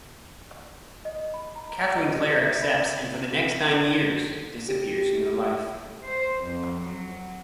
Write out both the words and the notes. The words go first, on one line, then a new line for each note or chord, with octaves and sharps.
Catherine Claire accepts, and for the next nine years disappears from their life.
D#5
B5
A#5
A#5
D#5
G4
E5
B5
G4
C5
F2
F#3